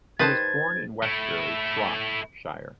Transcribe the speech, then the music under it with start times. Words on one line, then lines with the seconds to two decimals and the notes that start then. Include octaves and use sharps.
He was born in Westbury, Shropshire.
0.19 D#3 G3 A4 B4 C5 A5 G#6 A6
1.03 A3 E4